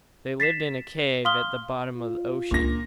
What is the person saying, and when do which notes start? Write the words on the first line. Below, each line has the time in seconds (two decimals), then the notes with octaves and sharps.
They lived in a cave at the bottom of the ocean.
0.40 A6 B6 C7 E7
1.25 F5 C6 D#6 F6 G7
1.96 F4
2.51 C#2 A#2 D4 A#6